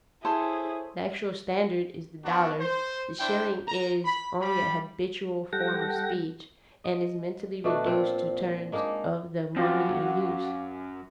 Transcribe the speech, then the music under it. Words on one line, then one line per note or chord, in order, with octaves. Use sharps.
The actual standard is the dollar; the shilling is only a habitual form of speech and is mentally reduced to terms of the money in use.
E4 G#4 A4 C5 C#5
B3 D4 F#4
C5
D4 E4 C5 G5
A#5
B5
G3 B5
G3 A4 F#5 G5 A#6
D#5
B2 A3 D4 F#4
A#2 C4 F4
G#3 A#3 D4 D#4
F#2 C4 F4 F#4 F5 D6